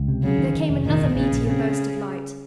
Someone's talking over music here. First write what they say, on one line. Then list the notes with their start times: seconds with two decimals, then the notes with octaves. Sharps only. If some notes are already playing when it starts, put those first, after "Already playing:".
There came another meteor burst of light.
Already playing: C#2
0.08 C3
0.23 C#3 F#3
0.39 D#3
0.55 D#3
0.70 F1
0.85 A#2 D#3
1.00 A#1
1.16 A#1 C#3
1.32 A#1
1.47 C#3 C4